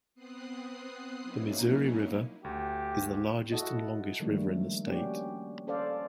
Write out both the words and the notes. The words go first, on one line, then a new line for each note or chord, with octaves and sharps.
The Missouri River is the largest and longest river in the state.
B3 C4 D#6 F#6 C7
F#3 A#3 C#4 D#4 E4
D2 G4
E4 F#4 A4 D#5
D3 D#3 F3 G3 A3 A#3
A#3 C#4 D4 F#4 G4
C#4 A4 C5 D5 F5